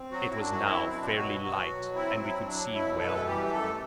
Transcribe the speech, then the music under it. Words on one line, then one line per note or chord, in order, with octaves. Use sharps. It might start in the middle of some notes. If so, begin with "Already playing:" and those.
It was now fairly light, and we could see well.
Already playing: C4
F#3 F#4
E4
F#2 D4
F#4
C4 E4
B2 E4
D4
E4
B2 F#3 F#4
B2 F#3 F#4
F#3
C4 E4
F#3 E4
F#3 D4
B2 E4
F#2 A4
B4
A3 A4
E3 G3 G4
G4
F#2 A3 A4